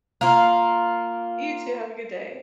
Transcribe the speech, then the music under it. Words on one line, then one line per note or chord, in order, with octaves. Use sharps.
You too, have a good day.
A#3 F4